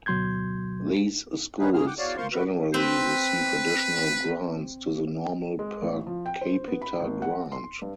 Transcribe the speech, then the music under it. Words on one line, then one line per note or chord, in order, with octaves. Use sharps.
These schools generally receive additional grants to the normal per capita grant.
D2 B2 F#3 C6 G6 G#6
D#3 B3 C#4 D#4 G#4 B4
F#2 B2 A#3 G#4 F6
F#5 G5 D6
E2 F#4 C#5 D5 F5
F4 A#4 C5 F5 C6 C#6
F#4 B4
C4 B4
G#3
A1
F3
G5
C5
B3
B5
G#1
F#5
C6
G2